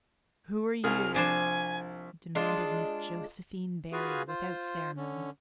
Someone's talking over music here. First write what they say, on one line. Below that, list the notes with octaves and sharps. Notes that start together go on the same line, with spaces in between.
"Who are you?" demanded Miss Josephine Barry, without ceremony.
C2 G#4 F6
F3 D4 C5 G#5
G#3 D4 F4
F4 F#4 G#4 B4 F5 G#5
F4 C5
D3 C#4